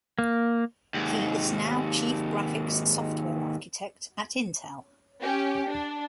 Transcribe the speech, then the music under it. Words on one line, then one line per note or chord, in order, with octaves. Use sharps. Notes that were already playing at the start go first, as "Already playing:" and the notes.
He is now Chief Graphics Software Architect at Intel.
A#3
D#2 G#2
C#4 G4
D4